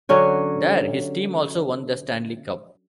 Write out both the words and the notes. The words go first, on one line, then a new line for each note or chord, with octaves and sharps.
There, his team also won the Stanley Cup.
D3 F#3 C#4 F#4